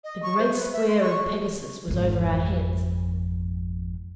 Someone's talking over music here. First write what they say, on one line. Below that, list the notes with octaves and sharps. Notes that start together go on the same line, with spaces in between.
The Great Square of Pegasus was over our heads.
D#5
C#6
C5
B4
E5
C6
C#6
G#1 F2